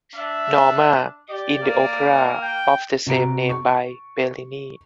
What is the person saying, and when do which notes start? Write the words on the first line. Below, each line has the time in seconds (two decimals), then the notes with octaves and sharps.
Norma in the opera of the same name by Bellini.
0.16 D4 E5
1.30 G4 D5
1.62 A#3
2.43 G5
3.07 C3 F#4 A#5 D7
3.49 C#6